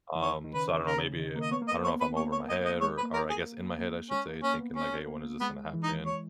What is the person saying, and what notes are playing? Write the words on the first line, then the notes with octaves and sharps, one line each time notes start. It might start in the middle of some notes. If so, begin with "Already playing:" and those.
um, so I don't know, maybe I don't know if I'm over my head or or I guess, in my head, I should say, thinking like, hey, when is this gonna happen?
E3
D#3 C#5
D#3
C#3 B4
D#3
C#3 A#4
D#3
A#3
D#5
B3 C#5
A#3
D#5
B3
C#5
B4
A#3 C#5
C#5
D#5
D#5
G#3 C#5
B4
A#3
A#4
A#3
G#4
A#3
G#3 C#4
A#3
A#3 C#4
B3
A#3 C#4
A#3
G#3 B3
E3
D#4
C#5